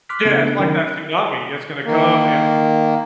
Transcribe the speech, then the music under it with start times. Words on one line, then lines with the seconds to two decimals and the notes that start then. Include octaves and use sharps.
Yeah, it's like that tsunami, it's gonna come, and
0.09 C6 D6 F6 F#6 B6
0.25 C#3 A3 B3 C4 D4 A4
0.60 D#3 F#3 C#4 D#4 A#4
1.85 D#3 A#3